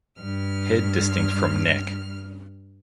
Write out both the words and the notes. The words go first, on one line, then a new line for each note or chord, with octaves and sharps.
Head distinct from neck.
G2 F6